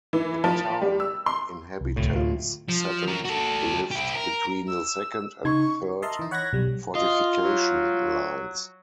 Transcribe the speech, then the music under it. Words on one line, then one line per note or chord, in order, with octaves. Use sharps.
The town inhabitants settled lived between the second and third fortification lines.
E3
F3
G3
E6
C6
C2
D2 A2
F4
F3
F#3 A#4
F#4 A4
E4 G4
A#4
E6
C#3 D#4 C#6 G#6
A#4 D#5 E5 A5 A#5 C6
E3 D#4
C#5 F#5 B5 F#6 G#6 A#6
B1 G3
F4 D#5
F#3